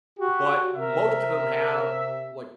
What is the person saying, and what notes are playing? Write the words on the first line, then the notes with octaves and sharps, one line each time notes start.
but most of 'em have, like,
F#4 G4
C3 A#4 E5